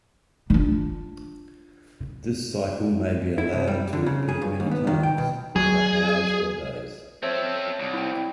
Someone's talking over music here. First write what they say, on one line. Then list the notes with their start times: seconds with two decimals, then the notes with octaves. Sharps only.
This cycle may be allowed to repeat many times, over hours or days.
0.50 D4 F4
3.38 E4
3.53 C2
3.67 G3
3.93 D3
4.06 C#3
4.29 G#4
4.42 G2
4.60 D#2
4.71 B3
4.87 D#3
5.03 G5
5.18 B2
5.56 F#3 G#4
7.23 C4 A4 C5 C#5 E5
7.80 C2
7.93 E4 G5